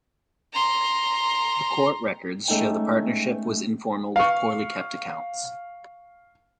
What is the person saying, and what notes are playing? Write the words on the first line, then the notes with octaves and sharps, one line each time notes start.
The court records show the partnership was informal with poorly kept accounts.
A#5 C6
G#3 A3 C#4 D#4 G5
F5 C#6